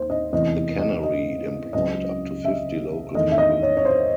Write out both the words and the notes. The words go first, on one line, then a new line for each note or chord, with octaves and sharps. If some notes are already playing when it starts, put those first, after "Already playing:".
The cannery employed up to fifty local people.
Already playing: D#2 C5
D#5
E2 C3 E3 A3 D#5
D#5
D#5
C#2 C#3 F#3 D#5
E5
E2 D#3 A3 D#5
E5
D#5
C#5
C#5
C5